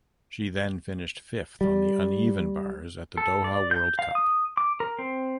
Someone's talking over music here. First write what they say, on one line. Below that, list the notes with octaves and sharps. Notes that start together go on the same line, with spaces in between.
She then finished fifth on the uneven bars at the Doha World Cup.
G3
A4
D5
G6
F5
D#6
D6
A#4
C4